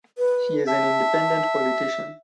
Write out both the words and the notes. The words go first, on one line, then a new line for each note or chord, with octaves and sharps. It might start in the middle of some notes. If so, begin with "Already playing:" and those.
She is an Independent politician.
B4
E5 A5